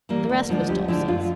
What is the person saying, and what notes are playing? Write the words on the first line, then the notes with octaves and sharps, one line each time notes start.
The rest was Dulcie's.
E3 G3 A#3
D2
D3 F3 G#3
D2 G4
D3 F3 G#3 E4
F#2 F4